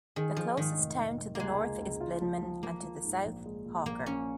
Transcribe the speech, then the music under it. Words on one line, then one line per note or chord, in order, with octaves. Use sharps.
The closest town to the north is Blinman and to the south, Hawker.
D#3 G#4
F3 G#4
G#2 D#3
F1
F1
F1
C#2 G#3 A#3
C#2
C#2
F4
F3
F3
F3 A#3
F3
G#2
A#1
G#3
A#2
A#1 A#3
A#1 C#4